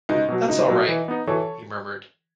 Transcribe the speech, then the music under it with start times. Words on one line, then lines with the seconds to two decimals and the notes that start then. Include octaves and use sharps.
"That's all right," he murmured.
0.09 C#2 D#4
0.28 B2 F#3
0.48 C#2 D#4
0.68 B2 F#3
0.88 E3
1.08 B3 D#4
1.27 E3 A4 C#5